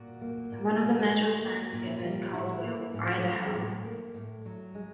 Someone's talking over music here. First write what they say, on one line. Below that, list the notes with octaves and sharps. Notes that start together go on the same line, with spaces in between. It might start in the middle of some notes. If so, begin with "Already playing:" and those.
One of the major plants is in Caldwell, Idaho.
Already playing: A#2 F#4
A#3
A#2
G3
A#2
A#3
A#2 F4
E4
G3 F4
A2 E4
A#3
A2 C#4
F#3
A2
A#3
A2
F#3
G#3